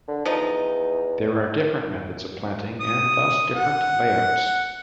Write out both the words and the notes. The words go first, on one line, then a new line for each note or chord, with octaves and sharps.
There are different methods of planting and thus different layouts.
D3
E2 F3 D#4
D#6
F#5